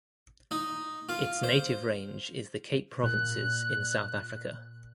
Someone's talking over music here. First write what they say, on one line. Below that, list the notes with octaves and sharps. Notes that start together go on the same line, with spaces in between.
Its native range is the Cape Provinces in South Africa.
D#4
F4
C5
A#2 F#6